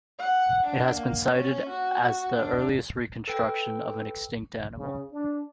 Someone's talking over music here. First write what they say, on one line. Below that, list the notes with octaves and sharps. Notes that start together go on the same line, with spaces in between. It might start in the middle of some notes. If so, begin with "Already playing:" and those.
It has been cited as the earliest reconstruction of an extinct animal.
F#5
D4
A#3
C#4
F#4
D4
A4 B4 G5
C#3
D4